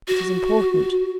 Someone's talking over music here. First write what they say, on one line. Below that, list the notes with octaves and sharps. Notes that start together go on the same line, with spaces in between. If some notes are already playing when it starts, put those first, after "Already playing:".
It is important.
F#4